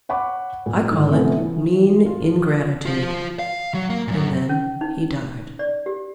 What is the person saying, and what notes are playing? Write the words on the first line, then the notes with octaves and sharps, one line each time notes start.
"I call it mean ingratitude." And then he died.
C#5 F#5 B5 C#6 D6
A#2
G#2 D3 D#3
C3 F3 A3 B3 C#4
E3
F4
F4 C5
F5
F#3
A#3
F#2 A#2
C#4
D#4
D5
G4